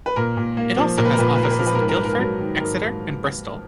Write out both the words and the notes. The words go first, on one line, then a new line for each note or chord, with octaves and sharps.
It also has offices in Guildford, Exeter and Bristol.
B4
A#2 A#4
A#2
A#3
F3
A#2 A#4
B4
A#4
A#2 B4
A#4
B4
A#3 A#4
B4
F3 A#4
B4
A#4
G#2 B4
A#4
G#2 B4
A#4
B4
F#3 A#4
D#3
G#2 A#4
G#2